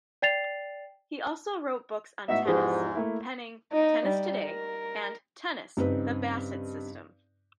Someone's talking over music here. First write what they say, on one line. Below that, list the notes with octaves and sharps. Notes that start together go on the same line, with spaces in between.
He also wrote books on tennis, penning "Tennis Today" and "Tennis: The Bassett System."
D5 G5 A6 C7 F7
A2 B3 D#4 F#4 E5
E2 G#2 F3 G4
A3 A#3 E4
D#4
G3
A#4
G2 C#3 C4 D#4 B4